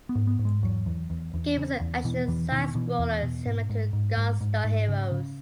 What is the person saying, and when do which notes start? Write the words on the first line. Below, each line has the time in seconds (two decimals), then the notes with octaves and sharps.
The game is an action side-scroller similar to "Gunstar Heroes".
0.09 B3
0.15 G#2
0.27 B3
0.39 G#2
0.45 G#3
0.63 E2 F#3
0.86 E2
1.10 E2
1.34 E2
1.57 C#3
1.81 E2
2.04 B2 E3
2.28 E2 E3
2.52 B2 D#3
2.75 B2 E3
2.99 E2
3.23 B2
3.46 G#2
3.70 G#2
3.93 G#2
4.17 G#2
4.41 G#2
4.64 G#2
4.88 C#3
5.11 C#3